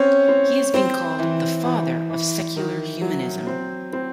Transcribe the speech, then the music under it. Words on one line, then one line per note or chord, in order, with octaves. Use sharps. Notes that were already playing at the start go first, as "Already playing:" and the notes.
He has been called "the father of secular humanism".
Already playing: C4 C#4 C#5
C4
C4 C5
E3
E3
E3
D#3
F#3
C4
C4